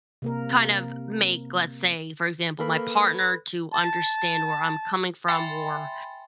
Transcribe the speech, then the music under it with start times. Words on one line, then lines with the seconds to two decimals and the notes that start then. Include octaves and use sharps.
kind of make, let's say, for example, my partner to understand where I'm coming from or
0.22 C3 A#3 A#4
2.60 A#3 A4 B4 B5
3.72 A5
5.28 E5 G5 G#5 B5 C6 A6